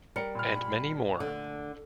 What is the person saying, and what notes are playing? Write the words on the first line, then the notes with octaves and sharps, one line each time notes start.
And many more.
G3 A#4 C#7
A#2 B5 F6
D3 A3